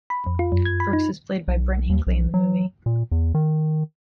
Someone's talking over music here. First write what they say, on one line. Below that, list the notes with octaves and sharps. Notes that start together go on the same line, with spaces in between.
Brooks is played by Brent Hinkley in the movie.
B5
F2
F4
F#2
G#6
B5
D#4
B1
D#2
B1
F#3
A#2
E2
D#3